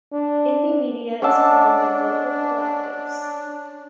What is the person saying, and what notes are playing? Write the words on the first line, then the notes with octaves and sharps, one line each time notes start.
Indymedia is formed of local collectives.
D4
C#4 D4 D5 D#5 F#5 A5 E6